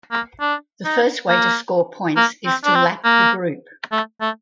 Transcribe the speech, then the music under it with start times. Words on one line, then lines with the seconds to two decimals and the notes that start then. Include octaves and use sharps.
The first way to score points is to lap the group.
0.12 A#3
0.41 D4
0.85 D#4
1.29 A#3
2.16 A#3
2.46 C4
2.65 D4
2.75 C4
3.05 A#3
3.92 A3
4.21 A3